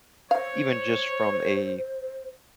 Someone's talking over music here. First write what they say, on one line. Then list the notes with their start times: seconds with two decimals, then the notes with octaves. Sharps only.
even just from a
0.31 C5 C#5 F5